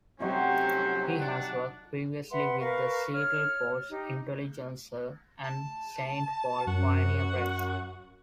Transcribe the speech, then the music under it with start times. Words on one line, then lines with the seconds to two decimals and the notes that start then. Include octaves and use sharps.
He has worked previously with the Seattle Post-Intelligencer and Saint Paul Pioneer Press.
0.20 C3 F#3 A3 C#4 D#4 F#4 C5
1.20 D4 F#5
2.31 B4 E5 F#5 C6
2.59 A#4 B4 F5 C#6
3.13 C#5 F6
3.90 D#4 G4
5.44 A5
6.67 F#2 F#4